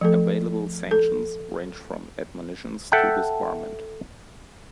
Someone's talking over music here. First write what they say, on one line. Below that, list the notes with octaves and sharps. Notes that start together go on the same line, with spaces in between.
Available sanctions range from admonitions to disbarment.
F3 A3 A4
A4
A4 E5 F#5 G5 A5